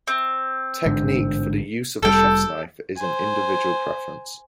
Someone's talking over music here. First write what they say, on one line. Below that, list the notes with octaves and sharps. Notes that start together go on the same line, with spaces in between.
Technique for the use of a chef's knife is an individual preference.
C4
A1 G#2 D3
F1 G3 A4 G5
C5 G#5